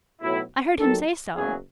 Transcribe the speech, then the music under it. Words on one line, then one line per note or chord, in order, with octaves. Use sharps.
I heard him say so.'
B1 A2 F#3 E4
D#2 D#3 F#3 A4
F#1 E2 C#3 F#3 G#4